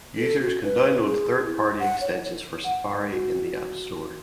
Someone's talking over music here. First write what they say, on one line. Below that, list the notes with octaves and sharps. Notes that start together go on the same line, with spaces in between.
Users can download third party extensions for Safari in the App Store.
A4
F#4
B4
G#4
E4
F#5
C#5
F#5
F#4